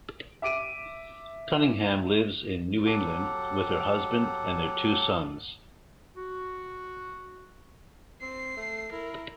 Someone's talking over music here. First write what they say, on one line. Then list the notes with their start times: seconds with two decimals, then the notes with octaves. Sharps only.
Cunningham lives in New England with her husband and their two sons.
0.42 E5 D6 D7 D#7
2.85 F#3 G4 A4 F#5
6.17 F#4
8.22 C4 C7
8.57 A3
8.92 E4 A#4